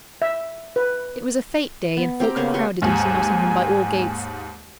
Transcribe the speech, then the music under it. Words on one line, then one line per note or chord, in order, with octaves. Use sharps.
It was a fete-day, and folk crowded into Nottingham by all gates.
E5
B4
B3
C4 G4 G5 A#5
C#3 A#3 B3 C#5
G4 G#5 C6 C#6
D#2 G#2 G#5